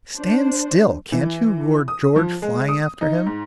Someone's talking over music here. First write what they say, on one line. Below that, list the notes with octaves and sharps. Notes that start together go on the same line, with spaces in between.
"Stand still, can't you!" roared George, flying after him.
D4 C5
E3
D#6
F3
G#3
D#6
D#4
G#2